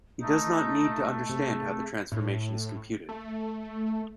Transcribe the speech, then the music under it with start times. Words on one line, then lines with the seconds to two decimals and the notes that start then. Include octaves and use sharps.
He does not need to understand how the transformation is computed.
0.21 A3 D#4 D#5
1.29 C3 G#4
2.12 A2
3.09 A3